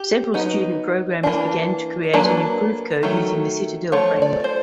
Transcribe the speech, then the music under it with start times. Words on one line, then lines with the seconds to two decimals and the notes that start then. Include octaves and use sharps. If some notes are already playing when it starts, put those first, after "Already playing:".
Several student programmers began to create an improved code using the Citadel framework.
Already playing: G4
0.34 F#3 B3 D#4
1.23 E3 G3 A#3 D4
2.13 F#3 A#3 D4 B4
3.03 D#3 F#3 A3
3.92 F3 A3 C#5
4.22 D5
4.44 C5